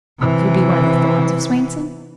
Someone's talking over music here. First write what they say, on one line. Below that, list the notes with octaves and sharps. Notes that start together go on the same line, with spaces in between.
"Could it be one of the Thorns of Swainson?"
C3 E3